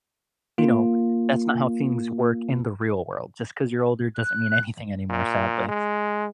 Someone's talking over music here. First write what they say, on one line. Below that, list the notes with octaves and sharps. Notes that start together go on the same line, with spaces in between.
you know, that's not how things work in the real world. Just 'cause you're older doesn't mean anything anymore, sadly.
A#3 F4
F#6
A#2
G#3